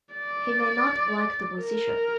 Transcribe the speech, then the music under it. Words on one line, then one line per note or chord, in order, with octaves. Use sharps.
He may not like the position.
D5
A#4